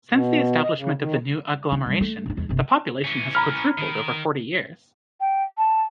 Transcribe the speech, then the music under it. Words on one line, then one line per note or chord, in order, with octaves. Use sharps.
Since the establishment of the new agglomeration, the population has quadrupled over forty years.
B2
D#5
C#3
D#3
D#4
E1 G3
A3
G#1 D#4
E2 G#3
G1 C3
E3 C#4
A#5 B5 F6
D#3 A#4
G5
A5